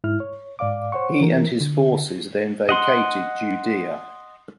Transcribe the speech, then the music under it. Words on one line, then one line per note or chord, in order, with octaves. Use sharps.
He and his forces then vacated Judea.
G#2 E4 F6
C#5
G#2 D5 F5 D6
C5 C#5 F#5 C#6
E3 A#4
D3
D#5 F#5 C6